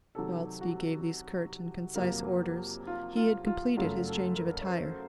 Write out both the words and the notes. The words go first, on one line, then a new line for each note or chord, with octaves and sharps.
Whilst he gave these curt and concise orders, he had completed his change of attire.
C3 D#3 F#3 A4
F#4
F2 C3 F#3 A#3
F4
F4
F4
F#2 C#3 F#3 A3 F4
A4
A#4
C#5
C5